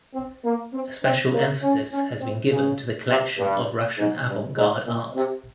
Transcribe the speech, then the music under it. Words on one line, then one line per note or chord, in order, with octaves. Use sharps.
A special emphasis has been given to the collection of Russian avant-garde art.
C4
A#3
C4
C4
A#3
C#4
C#4
C4
C#3
C3
G2
G#2
G2
G#2
A#2
C3